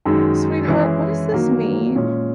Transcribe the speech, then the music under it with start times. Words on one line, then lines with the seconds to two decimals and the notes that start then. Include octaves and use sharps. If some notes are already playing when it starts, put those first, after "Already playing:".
"Sweetheart, what does this mean?"
0.05 F#2 D#3 G#3 D#4
0.68 E3 G#3 C#4 E4 G#4
1.32 D#3 F#3 A#3
1.95 A#2 G#3 C#4 G#4